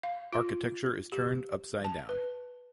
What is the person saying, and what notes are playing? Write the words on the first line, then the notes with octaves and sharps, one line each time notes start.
Architecture is turned upside down.
F5
F4
G4
A5
B4